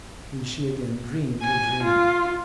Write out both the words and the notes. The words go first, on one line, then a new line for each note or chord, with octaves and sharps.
Then she again dreamed her dream.
G#5
F4